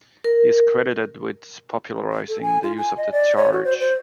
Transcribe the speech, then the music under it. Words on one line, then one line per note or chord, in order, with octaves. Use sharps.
He is credited with popularizing the use of the Charge!
A#4
A4
G#5
F4
G#5
D#5
D5
C#5
F#4
C5
C5